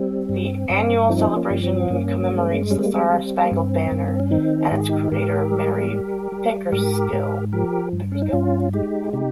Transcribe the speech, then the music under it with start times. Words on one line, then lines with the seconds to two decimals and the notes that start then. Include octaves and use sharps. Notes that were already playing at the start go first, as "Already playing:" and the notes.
The annual celebration commemorates the Star-Spangled Banner and its creator Mary Pickersgill.
Already playing: G3 C4
0.29 G2
0.70 G2
1.09 F3 C4 D#4
1.36 A#3 C#4
1.50 G2
1.64 C4
1.90 G2 A#3 C#4
2.31 G#3
2.71 G3 C#4
2.79 C4
2.86 A#3
2.94 C4
3.10 G3
3.46 A#3
3.51 G2 C4
3.92 G2
4.08 C4
4.20 C#4
4.31 D#3 C4 D#4
4.71 G#2 G4
4.80 G#4
4.89 D#4 G4
5.12 G#2 G4 A#4
5.52 G3
5.92 G3
6.32 G3
6.72 G#2 G4 A#4
7.13 G#2
7.53 F3 G4 A#4
7.93 G2
8.12 C#4
8.22 D#4
8.33 G2 C#4 F4
8.73 G#3 D#4 G4
9.13 C3 D#4 G4